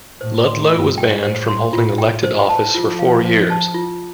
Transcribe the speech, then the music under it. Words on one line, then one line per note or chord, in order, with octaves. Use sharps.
Ludlow was banned from holding elected office for four years.
A2 C5
C6
G2 F4
G5
A2 C5
C6
A2 F4
G5
C5
A5
F3 F4
F5
C5
A5
F4